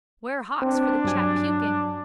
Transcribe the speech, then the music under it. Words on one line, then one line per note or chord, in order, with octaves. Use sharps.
Ware hawks for the chap puking.
C4 D4
G2 F#3 G#5